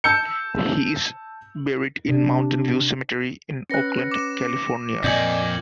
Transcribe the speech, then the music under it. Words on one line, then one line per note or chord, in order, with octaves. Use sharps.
He is buried in Mountain View Cemetery in Oakland, California.
A5 E6 G6 C#7
C3 D4
C#4 B4 F#6 A#6 C#7
D6 E7
F2 A#2 D5 D#5 G#5 G6 G#6 F#7